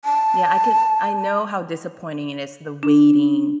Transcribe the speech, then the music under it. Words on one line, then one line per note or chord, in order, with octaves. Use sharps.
Yeah, I can I know how disappointing it is, the waiting,
A5
D4